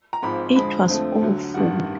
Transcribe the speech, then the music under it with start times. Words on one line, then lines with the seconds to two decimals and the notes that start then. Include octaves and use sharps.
It was awful.
0.13 A#5
0.23 G#1 G#2 F3 B5
0.55 F2 D3 F3 G#3 C4 B5
0.88 F2 D3 F3 A3 C4
1.21 D2 D3 F#3
1.54 A1 G2 D#3 G3 F#5